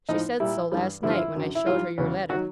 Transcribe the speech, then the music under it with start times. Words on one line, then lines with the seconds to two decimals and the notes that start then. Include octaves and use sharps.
She said so, last night, when I showed her your letter.
0.09 A2 F3 D#4
0.40 A#2 G3 E4
0.72 G2 E3 G3
1.03 G2 D3 F3 E4
1.10 F4
1.17 E4
1.35 F#2 D3 F#3
1.55 E4
1.67 G#2 E3 G3 F4
1.98 E2 C#3 F#3
2.30 D#3 F#3 F#4